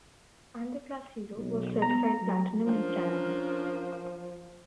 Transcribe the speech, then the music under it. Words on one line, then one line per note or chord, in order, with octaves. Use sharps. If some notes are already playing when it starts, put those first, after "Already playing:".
"Underclass Hero" was certified Platinum in Canada.
B1
B3 A#5
F#3
F3 C#4 D4 A#4